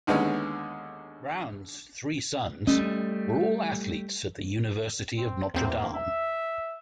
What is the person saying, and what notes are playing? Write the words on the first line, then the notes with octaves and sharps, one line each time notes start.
Brown's three sons were all athletes at the University of Notre Dame.
D#2 D3 G#3 B3 C#4 D#4
G3 A3 C#4 D#5
C4
E2 A#3 C4
E5